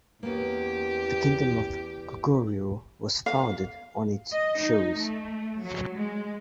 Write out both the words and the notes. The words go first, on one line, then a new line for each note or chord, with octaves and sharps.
The kingdom of Koguryo was founded on its shores.
E2 A#3 B3 C#4 G4
F5
D#5
D#4
A3
F#3
G#3